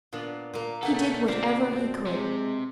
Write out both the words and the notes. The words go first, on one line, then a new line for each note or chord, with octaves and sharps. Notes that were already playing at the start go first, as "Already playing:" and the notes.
He did whatever he could.
A#2 B3 D4 F4
A#2 A#3
B2 D3 A3 G#4 A4 B4 F#5
C4 D4 F4 G4 A4
F#2
C3 G#3